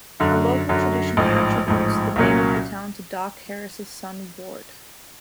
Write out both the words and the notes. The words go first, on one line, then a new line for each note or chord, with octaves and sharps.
A local tradition attributes the name of the town to Doc Harris's son Ward.
F#2 D3 F#3
F#2 D3 F#3
A1 G#2 F3
A1 G#2 F3
C2 A#2 F#3 A#3 C#4